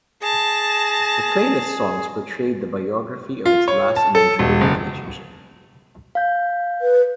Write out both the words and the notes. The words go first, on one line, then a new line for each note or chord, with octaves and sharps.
The playlist songs portrayed the biography of his last and enduring relationship.
G#4 A5 A#6
F4
C#5
A5
A4
E1
F#1
F5 G6
B4